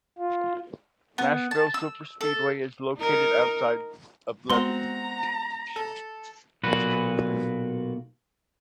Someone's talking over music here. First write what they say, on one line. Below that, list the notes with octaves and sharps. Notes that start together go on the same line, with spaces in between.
Nashville Superspeedway is located outside of Lebanon.
F4
B3
A5
E6
A4
D#4 A#4
G#3 B3 C4 F#4 A#5 C6 G7
A4
B1 A#2 F#4 B4